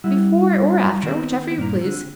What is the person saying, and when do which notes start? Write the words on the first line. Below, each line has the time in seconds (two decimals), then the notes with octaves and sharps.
"Before or after, whichever you please."
0.04 G3 E4 F#5
1.03 D#3 B3 C4
1.58 G2 A#2 A#5
1.81 D3 C4